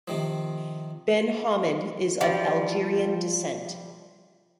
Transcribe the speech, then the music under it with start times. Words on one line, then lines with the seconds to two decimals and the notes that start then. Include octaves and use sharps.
Ben Hamed is of Algerian descent.
0.08 C3 D#3 F3
2.21 F3 G3